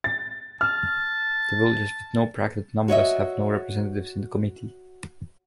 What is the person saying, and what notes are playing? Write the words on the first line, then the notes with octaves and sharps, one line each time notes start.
The villages with no bracketed numbers have no representatives in the committee.
A6
A5 F6
F#4 C#5 D#5 E5